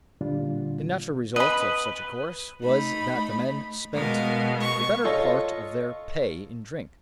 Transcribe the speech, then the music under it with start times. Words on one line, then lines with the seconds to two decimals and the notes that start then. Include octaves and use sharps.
The natural result of such a course was that the men spent the better part of their pay in drink.
0.21 A#2 D3 G3 D4 F4
1.36 B4 D#5 B5
2.62 A3 D#4 B5
3.94 B2 G#3 A#4 F5
4.61 C#6
5.04 F4 A4 C#5 D#5